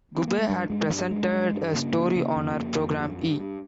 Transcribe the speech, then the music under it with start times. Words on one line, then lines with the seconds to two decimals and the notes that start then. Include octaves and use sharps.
Gubbay had presented a story on her program E!
0.17 C4
0.28 A#3
0.38 G#3
0.49 G2 G3
0.70 G2 G#3
0.90 G2
1.11 G2 G#3
1.32 G2
1.53 G2
1.74 C#3 A#3
1.95 C#3
2.16 C#3
2.36 F2
2.57 F2
2.77 F2
2.98 G2
3.19 G2
3.39 G2